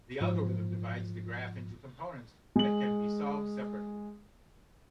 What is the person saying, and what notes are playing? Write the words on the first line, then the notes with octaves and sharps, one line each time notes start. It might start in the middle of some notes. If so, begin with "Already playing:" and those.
The algorithm divides the graph into components that can be solved separately.
G#2 F3
G#3 F#7